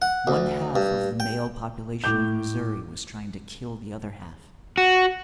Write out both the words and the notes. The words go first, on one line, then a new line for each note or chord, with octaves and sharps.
One half of the male population of Missouri was trying to kill the other half.
F#5
D2
G2
G5
A2 D6 G6
F#4